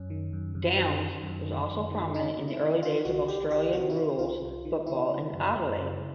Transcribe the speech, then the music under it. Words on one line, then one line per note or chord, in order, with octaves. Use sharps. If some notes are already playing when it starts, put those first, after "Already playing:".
Downs was also prominent in the early days of Australian rules football in Adelaide.
Already playing: F#2 C#4
D#3
F#2
F#2
D#3
D#3
F#2
D#3
F#2
D#3
D#3 D#4
C3
E4
D#3
D#3 F4
C2 F#4
C2 G4
C2 G4
C3 F#4
E4
D#3 F4
C2 F4
C2
D#3
C#3 E4
C#3
F#2
F#2
C#3